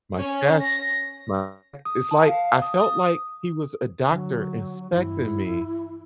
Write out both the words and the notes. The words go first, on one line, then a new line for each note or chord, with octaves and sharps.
my chest, my and it's, like I felt like he was a doctor inspecting me,
C#4
A#6
D#6
A5
F5
D#6
D#6
D3 F#3
G2 E3 E4